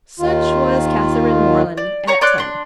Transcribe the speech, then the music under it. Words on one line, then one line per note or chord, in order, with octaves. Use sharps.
Such was Catherine Morland at ten.
D#2 D#3 F4
D5
C#5 A#5 C#6
C#5 D5 C6 F#6
D4 C6